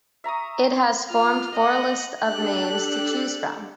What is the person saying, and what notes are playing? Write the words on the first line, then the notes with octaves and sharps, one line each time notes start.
It has formed four lists of names to choose from.
E5 A#5 C#6 D#6
F4 F6
D#5 F#5
D4 G4 A4 F#6